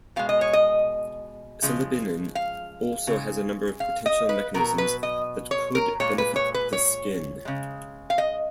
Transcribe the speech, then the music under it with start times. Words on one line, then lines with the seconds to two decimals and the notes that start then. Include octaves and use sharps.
Silibinin also has a number of potential mechanisms that could benefit the skin.
0.16 B2 G#3 F5
0.29 D#5
0.41 C#5
0.53 D#5
1.62 C#3 F3 G#3
2.35 F5
3.07 C#3 G#3
3.80 F5
4.06 D#5
4.29 B4
4.54 B2 F#3 A#4
4.78 B4
5.03 D#5
5.51 C#5
5.75 A#4
6.00 A#2 G#3 C#5
6.18 B4
6.36 C#5
6.54 B4
6.73 C#5
7.45 C#3 G#3
8.10 F5
8.18 D#5